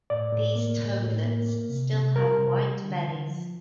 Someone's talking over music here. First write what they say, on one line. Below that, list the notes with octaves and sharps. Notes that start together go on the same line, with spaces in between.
These toadlets still have white bellies.
A2 D5
A2
A#3
A2
A2
A#3
A#3
C3
C3
G3 A#4
C3
G3
D3
D3
F3